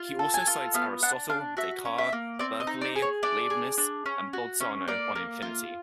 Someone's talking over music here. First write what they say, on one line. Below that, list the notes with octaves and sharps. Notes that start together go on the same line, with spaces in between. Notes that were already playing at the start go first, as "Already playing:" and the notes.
He also cites Aristotle, Descartes, Berkeley, Leibniz, and Bolzano on infinity.
Already playing: F4
A4
G#5
F4
B3 F5
D4 F#5
D4 F5
F#4 E5
C#4
E5
A#3
C4 D5
D#5
D#4
D5
G#4
C#5
D4 D5
G#4
D4
C#4
F#4
C#4
A#3 D5
A#3
F4